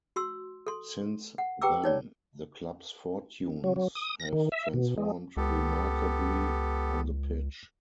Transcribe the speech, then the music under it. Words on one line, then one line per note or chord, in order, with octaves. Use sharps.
Since then, the club's fortunes have transformed remarkably on the pitch.
F#4 C6 E6
A4 C6
F#5
G4 B4 G5 A#5 D6 E6
D#4 C#5 D5
F#3
F#3
D#6
A#6
D#3
E5
B2
G#3
C#2 B3 G4 A4